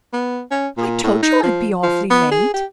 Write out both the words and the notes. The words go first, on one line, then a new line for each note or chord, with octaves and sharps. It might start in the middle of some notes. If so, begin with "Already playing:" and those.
"I told you I'd be awfully late."
B3
C#4
A#2
A2
D#4
F3
F3
B3
G#4
G4